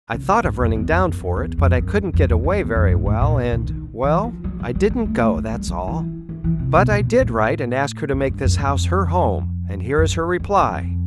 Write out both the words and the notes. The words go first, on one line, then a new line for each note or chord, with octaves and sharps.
I thought of running down for it, but I couldn't get away very well, and--well, I didn't go, that's all. But I did write and ask her to make this house her home, and here is her reply.
C#3
D3
G#2
F2
E2
F2
F#2
F2
E2
F2
F#2
F2
E2
F2
E2
F2
G#2
A2
A#2
D3
D#3
E3
F3
F#3
F#3
G3
G#3
A3
A3
G#3
G3
F#3
E3
E3
E3
C3
B2
A#2
A2
G2
G2
F#2
F2
F#2
F#2
F2